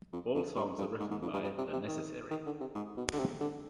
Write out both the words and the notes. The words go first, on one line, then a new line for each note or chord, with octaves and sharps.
All songs are written by The Necessary.
F2
F2
G2
G2
G#2
G#2
F2
G2
G2
C3
C3
D#3
D#3
D3
C3
G#2
B2
D3
C3
D3